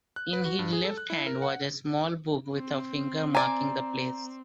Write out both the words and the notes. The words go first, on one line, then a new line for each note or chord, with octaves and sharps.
In his left hand was a small book with a finger marking the place.
F#6
B4
F#4
G2
G#4
A4
F#6
E4
A#4
F#5
C4
D5 G#5 A#5